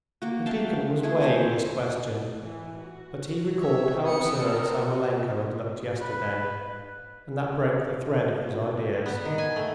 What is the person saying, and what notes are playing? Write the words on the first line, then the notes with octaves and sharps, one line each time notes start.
The deacon was weighing this question, but he recalled how absurd Samoylenko had looked yesterday, and that broke the thread of his ideas.
A#3 F#4
E5 F5 G5 A5
A3 E4 G#4
C4 C#4 C5 G#5
E3
F#4
C#5 E5
B3 C4 A4 D#6 C#7
A#4
B4
B3
D#3
G#5
A3